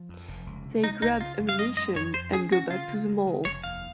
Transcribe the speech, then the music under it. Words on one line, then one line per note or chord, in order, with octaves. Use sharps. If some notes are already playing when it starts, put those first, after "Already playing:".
They grab ammunition and go back to the mall.
Already playing: F3
F2
F1
C#2
C3
G#3 D#4
C2 D#4
C#3 F4
F#2
F5
G#3 D#5
F#2 D#5
F2 C#5
F2 C5
C#4 G#4
C#4 F#4
C#3 F4
C#3
G#3
C#3
F1 C#5
D#2 F5